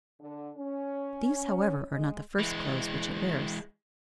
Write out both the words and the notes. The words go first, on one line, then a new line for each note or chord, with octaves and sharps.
These, however, are not the first clothes which it wears.
D3
C#4
G#3
E3 G#3